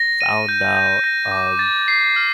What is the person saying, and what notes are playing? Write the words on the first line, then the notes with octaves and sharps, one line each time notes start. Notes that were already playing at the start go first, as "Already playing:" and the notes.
found out, um,
Already playing: A#6
D#7
G6
G6
A#6
D6
A6
C7
F6